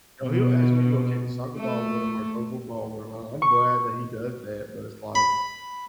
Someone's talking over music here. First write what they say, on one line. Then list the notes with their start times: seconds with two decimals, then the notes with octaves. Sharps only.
you know, he'll ask me to go kick the soccer ball with him or throw a football with him, and I'm glad that he does that, but it's like,
0.23 B2
1.57 A3
3.42 C#6
5.15 B5